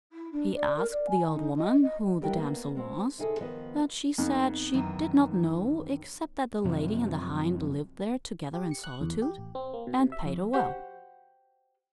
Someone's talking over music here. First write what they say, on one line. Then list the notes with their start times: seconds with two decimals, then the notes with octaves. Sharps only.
He asked the old woman who the damsel was, but she said she did not know, except that the lady and the hind lived there together in solitude, and paid her well.
0.12 E4
0.32 D4
0.54 D5
0.76 A#4
0.92 D5
1.08 G#5
1.29 D#4
1.57 D#5
1.81 D#5
2.21 F#3 G3 D4 E4 A#4 G5
2.36 A#3 B3
2.75 G#3 C4
3.18 D2 C3 D#4 G#4 A4
3.40 D#3 F3 B3 B4 D#5
4.18 F2 B3 D#4
4.74 F#2 D#3 E3
6.64 F#2 C3 F3
8.54 G4
8.71 C#7
8.84 F#6
9.01 E2
9.22 G4
9.38 A1
9.55 C4
9.74 A#3
9.87 B2
10.00 C3
10.12 E5
10.25 F2
10.53 F#4 G4 C5 F#5